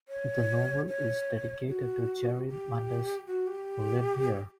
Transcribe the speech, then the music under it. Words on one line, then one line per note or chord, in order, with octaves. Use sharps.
The novel is dedicated to Jerry Mundis, who lived here.
C#5
C#5
F#4
G4
F#4
G4